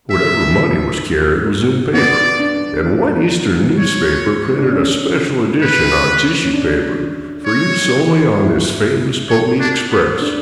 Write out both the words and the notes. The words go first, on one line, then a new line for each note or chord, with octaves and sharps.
Whatever money was carried was in paper, and one Eastern newspaper printed a special edition on tissue paper for use only on this famous Pony Express.
E5
B3 D5
D4
C#5
D4
C#4
B4
C#4
D4
C#5
E4
C#5
D4
B3
D4